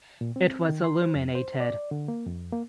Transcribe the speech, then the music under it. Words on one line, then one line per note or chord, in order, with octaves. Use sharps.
It was illuminated.
A#2
C4
D#3
C6
C5
F2
C5
D5
D3
A#3
F2
A#3